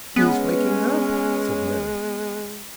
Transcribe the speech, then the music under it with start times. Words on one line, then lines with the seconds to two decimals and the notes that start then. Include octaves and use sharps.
"He is waking up!" said Mary.
0.16 G#3 B3 C#4